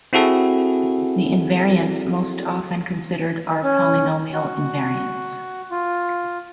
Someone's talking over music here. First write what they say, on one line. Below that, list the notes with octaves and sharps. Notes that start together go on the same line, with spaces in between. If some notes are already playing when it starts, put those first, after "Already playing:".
The invariants most often considered are "polynomial invariants".
C4 E4 F#4 G#4 A4
C#4
F#4
F4